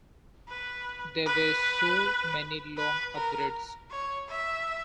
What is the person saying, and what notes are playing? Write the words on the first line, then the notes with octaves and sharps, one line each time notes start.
There were so many long upgrades.
B4
B4
B4
A#4
C#5
E5